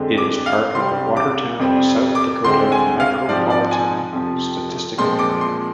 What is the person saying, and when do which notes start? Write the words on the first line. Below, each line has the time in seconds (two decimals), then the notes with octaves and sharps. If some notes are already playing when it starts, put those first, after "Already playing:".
It is part of the Watertown, South Dakota Micropolitan Statistical Area.
Already playing: F2 D3 G#3 C4
0.18 D6
0.46 F5
0.74 C2 C3 G3 C4 C6
1.17 D6
1.59 F2 C3 G3 C4
2.15 D6
2.44 D2 D3 G#3 C4 C6
2.72 G#5
3.00 F5
3.28 G#2 F3 C4 D5
3.50 D5
3.71 G#5
4.13 F2 C3 F3
4.98 A#2 F3 G#3 C4 C6
5.19 D6
5.41 C6